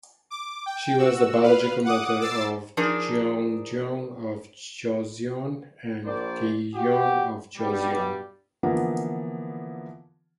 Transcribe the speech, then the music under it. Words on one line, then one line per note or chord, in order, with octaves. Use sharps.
She was the biological mother of Jeongjong of Joseon and Taejong of Joseon.
D6
G5
F#4 E6
B4 F5
F#5 D6 D#6
D6 E6 A6 C7
F3 D4 D#4 G#4 A#4
A#1 A#4 C5 D5
F#4 G4
G2 B2 G3
D3 E3 F3 A#3 B3